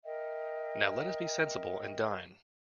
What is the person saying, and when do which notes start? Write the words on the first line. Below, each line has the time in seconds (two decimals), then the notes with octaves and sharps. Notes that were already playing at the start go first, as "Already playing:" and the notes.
Now let us be sensible and dine.
0.05 A#4 D#5 E5 G5